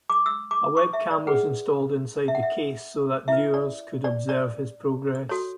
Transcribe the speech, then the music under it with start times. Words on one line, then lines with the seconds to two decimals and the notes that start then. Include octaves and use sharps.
A webcam was installed inside the case so that viewers could observe his progress.
0.10 D6
0.26 E6
0.51 D6
0.77 C#6
0.93 E5
1.11 D5
1.27 D4 G#4 B4 F#5
2.28 E5
2.35 F#5
2.43 E5
3.28 E4 B4 E5
3.54 D5
4.04 D5
4.29 D5
5.29 F#4 A4 C#5